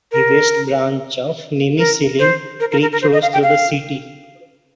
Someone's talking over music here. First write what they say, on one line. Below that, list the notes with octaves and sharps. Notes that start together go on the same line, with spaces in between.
The West Branch of Nimishillen Creek flows through the city.
A#4
A#4
C5
A#4
A#4
A#4
A#4
C5
D#5
F5
G5
F5